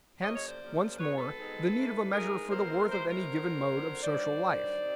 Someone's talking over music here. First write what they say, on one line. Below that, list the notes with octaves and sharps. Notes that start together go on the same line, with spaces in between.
Hence, once more, the need of a measure for the worth of any given mode of social life.
F#2 C#3 F3 A#3 C#5 D#5
C#5 D#5
C5 D5
F#2 C#3 F3 A#3
B2 G#3 C4 D#4 B4 C#5
A4 B4
B2 G#3 C4 D#4
G#2 E3 A3
G#2 E3 A3 G#4 A#4
B2 G#3 C4 E4 A#4 C5
B2 G#3 C4 E4 A#4 C5
A#4 C5
F2 D3 F#3
F2 D3 F#3
G2 D#3 F#3 C5 D5
G2 D#3 F#3
C3 D#3